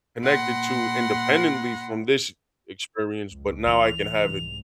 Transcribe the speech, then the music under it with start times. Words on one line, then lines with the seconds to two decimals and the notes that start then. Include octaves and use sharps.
connected to independently from this experience, but now I can have it,
0.22 A#2 F#5 B5 C6 A#6
3.29 C#2
3.67 E3 F7
4.14 C2 G#2